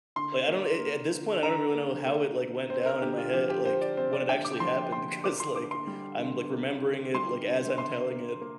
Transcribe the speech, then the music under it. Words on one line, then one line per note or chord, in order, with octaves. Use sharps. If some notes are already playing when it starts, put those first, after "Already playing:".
like, I don't a at this point, I don't really know how it, like, went down in my head like, when it actually happened because, like, I'm, like, remembering it, like, as I'm telling it.
D3 C6
A#3
A#3
D3
D3 A#5
A#3
A#3
D3
C4 C5
A#4
D3 G4
F4
F3 G4
G4
D3 C5
D5
C4 C5
D5
D3 G5
D6
F3 C6
D3 C6
A#3 D6
C6
D3 D6
C6
G3
D3
A#3
D3
G3 C6
D3
C3 C6
A#3
A#3